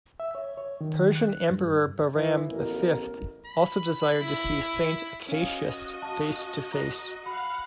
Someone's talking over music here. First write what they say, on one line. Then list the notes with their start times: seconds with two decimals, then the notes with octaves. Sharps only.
Persian Emperor Bahram the Fifth also desired to see Saint Acacius face-to-face.
0.20 E5
0.35 C#5
0.57 C#5
0.81 D#3
1.15 F#6
1.50 G2
2.14 E3
2.48 A1 F2 B2 A#4
3.45 B5
4.21 E4
5.29 C#4 F#4 D#5 F5
6.02 A5
6.72 A#5 F#6 A#6
7.26 F5 F#5 B5